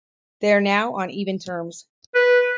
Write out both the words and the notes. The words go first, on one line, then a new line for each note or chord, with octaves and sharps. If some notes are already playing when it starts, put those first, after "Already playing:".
They are now on even terms.
B4